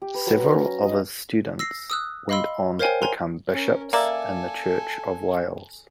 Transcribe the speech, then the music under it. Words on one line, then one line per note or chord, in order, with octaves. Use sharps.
Several of his students went on to become bishops in the Church in Wales.
G4
B4
F#3
A#5
C#4
A#5
D#5
E6 A#6 C7
D#6 E6 F#6
D#5 F5 B5 C6 E6
A#4 C5 C#5 F5 G5 G#5
G#5 A#5 C6
C#4 A#4
A#3 A4 D5 E5 G#5